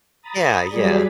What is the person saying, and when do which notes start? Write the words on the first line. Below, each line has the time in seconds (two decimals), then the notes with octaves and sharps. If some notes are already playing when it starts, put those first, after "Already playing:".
Yeah. Yeah.
0.22 A#5 B5 D#6 A6
0.68 F#3 G3 G#4 D5 B6